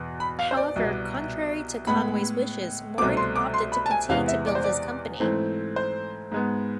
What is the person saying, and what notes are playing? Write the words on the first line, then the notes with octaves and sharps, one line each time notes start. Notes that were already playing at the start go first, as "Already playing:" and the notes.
However, contrary to Conway's wishes, Morin opted to continue to build his company.
Already playing: E2 B2 B3
B5
F5
C5
D5
C2 B2 B3
A2 G#3 B3 B5
C2 B2 A3 C4 D6
C6
D6
C6
B5
A5
G#5
E2 C3 E3 G#3 B3 F5
E5
D5
C5
D5
G#2 E3 A3 C4
C5
G#2 G#3 B3